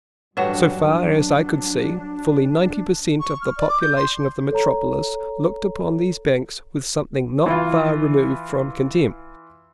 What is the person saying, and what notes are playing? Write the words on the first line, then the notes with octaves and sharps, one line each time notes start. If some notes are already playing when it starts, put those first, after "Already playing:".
So far as I could see, fully ninety per cent. of the population of the metropolis looked upon these banks with something not far removed from contempt.
A1 G2 F#3 D4 F#4 B4 C#5 F#5
C#6
F6
D5
D6
G6
C6
A4 C#5 A#5
E3 E4 F4